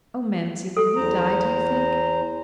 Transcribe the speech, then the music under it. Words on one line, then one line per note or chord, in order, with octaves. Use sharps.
"Oh, mamsie, will he die, do you think?"
A4
E2 C5 A#5